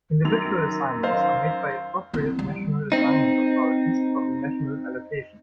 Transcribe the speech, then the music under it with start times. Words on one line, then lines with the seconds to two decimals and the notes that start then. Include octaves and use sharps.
Individual assignments are made by appropriate national assignment authorities from the national allocation.
0.25 F#2 D#3 F7
1.03 C5 F5
2.13 C4 E4
2.39 G3
2.92 C4 D#4